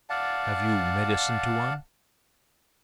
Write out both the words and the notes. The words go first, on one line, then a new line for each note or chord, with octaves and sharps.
"Have you medicine, Tuan?"
D5 F5 F#5 A5